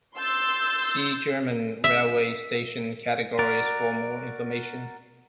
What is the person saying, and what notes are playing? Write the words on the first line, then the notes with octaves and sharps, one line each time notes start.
See German railway station categories for more information.
C6 E6 G6 A6
E5
F#4 A#4 D5